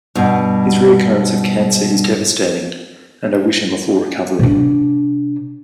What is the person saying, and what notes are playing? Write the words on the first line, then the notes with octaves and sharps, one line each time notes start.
His reoccurrence of cancer is devastating and I wish him a full recovery.
G2 B2
C3 D4